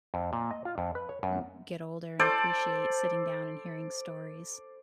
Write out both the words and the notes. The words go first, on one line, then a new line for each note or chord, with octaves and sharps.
m get older and appreciate sitting down and hearing stories,
F2
A#2
D#5
F4
F2
B4
C#5
F#2
A4 C5 D5